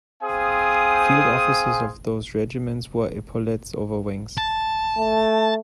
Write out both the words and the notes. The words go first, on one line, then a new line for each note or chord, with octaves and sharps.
Field officers of those regiments wore epaulettes over wings.
C4 G#4 C5 F5 G#5 D#6
A5
A3